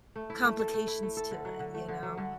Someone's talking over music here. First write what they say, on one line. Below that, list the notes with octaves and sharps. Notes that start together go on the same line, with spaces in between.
complications to it, you know?
A3
E4
A3
A4
A3
E4
A3
A4
D3
F#3
D3
A3
D3
F#3
D3